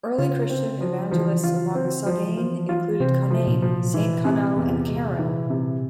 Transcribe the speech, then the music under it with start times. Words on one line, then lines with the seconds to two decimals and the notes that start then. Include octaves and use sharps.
Early Christian evangelists among the Soghain included Conainne, Saint Connell and Kerrill.
0.18 C#3 F4
0.50 C4
0.81 F3
1.11 E3 F3
1.44 F4
1.75 C4
2.06 F3
2.37 F3
2.69 F4
3.00 C3 C4
3.31 F3
3.47 A#2
3.62 F3
3.94 E3
4.25 C3
4.56 E2
4.88 G#3
5.19 E3
5.50 C3